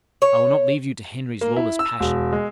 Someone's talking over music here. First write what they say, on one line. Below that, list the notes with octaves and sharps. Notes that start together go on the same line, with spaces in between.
"I will not leave you to Henry's lawless passion."
C#5
A#3
E4
E6
E1
G#3